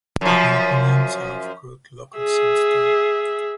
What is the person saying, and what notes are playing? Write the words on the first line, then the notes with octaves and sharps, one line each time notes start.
The gable ends are of crude local sandstone.
F#2 F3
G#4 E5